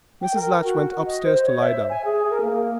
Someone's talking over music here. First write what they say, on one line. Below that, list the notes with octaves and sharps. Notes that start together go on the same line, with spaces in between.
Mrs. Latch went upstairs to lie down.
G5
A#4
F#4
D#5
C5
C#5
E5
G#5
G#4
A#4
A#3